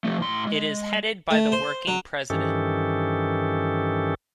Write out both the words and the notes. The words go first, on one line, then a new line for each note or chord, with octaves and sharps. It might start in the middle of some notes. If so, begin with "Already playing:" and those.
It is headed by the Working President.
F3 A3
A2 C6
G#3
A3
C5
F#3
G2 D#3 E3 C#4 G4 A4